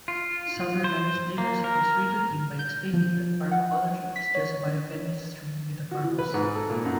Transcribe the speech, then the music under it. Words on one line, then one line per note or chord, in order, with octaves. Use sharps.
Sutherland later persuaded him by explaining that pharmacology was just biochemistry with a purpose.
F4
C5
A#3
A#4
G6
F3
F#5
B6
C#5
F#4
E3
B4
G#2
A4
A#2
F#2